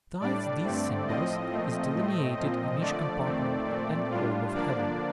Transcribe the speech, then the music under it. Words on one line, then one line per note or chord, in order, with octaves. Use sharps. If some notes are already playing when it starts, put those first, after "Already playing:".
Besides these symbols is delineated in each compartment an orb of heaven.
A2 G3 D4 D5
G2 D3 A3 C4
A2 F3 C4 D#5
A#2 F3 A3 C4
A2 A3 C4
A#2 F3 C4
D3 F3 A3 D5
F2 D#3 A3 C4
A#2 A3 C4
A2 G3 D4 F4
D3 F3 A#3 D4 D5